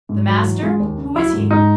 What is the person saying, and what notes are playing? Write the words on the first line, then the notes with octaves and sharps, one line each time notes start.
"The master?--who is he?"
G#2
F#3
E3
G#3
D#2
C#3
F#3 E4
G#2
G#2 D#4